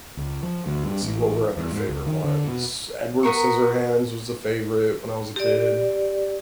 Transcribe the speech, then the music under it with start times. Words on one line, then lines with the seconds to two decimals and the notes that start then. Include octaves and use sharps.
let's see what were other favorite ones. Edward Scissorhands was a favorite when I was a kid.
0.17 C#2
0.43 F3
0.66 D2
0.84 G2
1.03 A1
1.57 E2
1.72 G#2
1.88 C#2
2.06 D#3
2.24 D3
2.48 B2
3.23 B3 D4 A#4 C#6
5.36 G4 D5